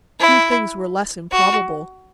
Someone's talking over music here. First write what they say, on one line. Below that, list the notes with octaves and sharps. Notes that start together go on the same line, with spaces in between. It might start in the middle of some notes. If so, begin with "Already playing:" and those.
Few things were less improbable.
E4
F#4